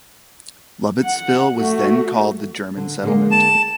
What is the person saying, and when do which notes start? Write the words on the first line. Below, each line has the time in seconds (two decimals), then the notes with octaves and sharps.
Lovettsville was then called The German Settlement.
1.03 F#5
1.57 A3 F#4
2.77 D3
3.03 D3 G#3 A#3
3.32 A5